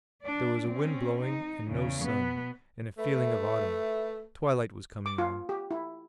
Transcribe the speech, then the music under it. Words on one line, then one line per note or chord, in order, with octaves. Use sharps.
There was a wind blowing and no sun, and a feeling of autumn; twilight was coming on.
D4 D5
C4 C#4
D#4
E2 C#3
B2 B3
A3 B4 E5 B5
D6
F4
G4
E4